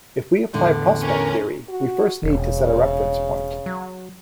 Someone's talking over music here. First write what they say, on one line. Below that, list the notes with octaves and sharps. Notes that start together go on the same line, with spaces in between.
If we apply prospect theory, we first need to set a reference point.
E2 A2 D3
C#4 A#4
F#4
E1 C#3
F#3